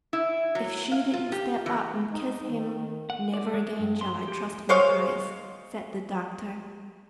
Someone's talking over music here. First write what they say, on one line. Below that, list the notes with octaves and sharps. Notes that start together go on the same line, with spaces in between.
"If she didn't step up and kiss him, never again shall I trust my eyes!" said the doctor.
E4
F#3
F5
F4
G4
E3
D#4
D#3
F#5
D5
G#3
G2
C6
G4
G#3 C5 C#5 F5